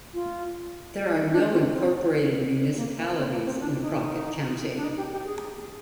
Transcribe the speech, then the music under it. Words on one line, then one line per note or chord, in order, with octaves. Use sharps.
There are no incorporated municipalities in Crockett County.
F4
D#4
D4
C4
C4
A#3
A#3
C4
A#3
C4
D4
D#4
D#4
D4
D#4
G4
G4
G#4